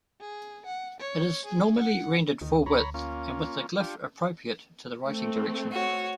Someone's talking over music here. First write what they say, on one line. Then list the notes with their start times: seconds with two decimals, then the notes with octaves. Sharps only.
It is normally rendered fullwidth and with a glyph appropriate to the writing direction.
0.20 G#4
0.66 F#5
1.00 C#5
1.45 G#4
1.79 F#5
2.41 D2 D#3
2.66 D2 C#5 A#5 B5
2.94 A#3 C#4 F4
3.80 D4 F4 G4
5.05 A3 C4
5.72 F#4 C#5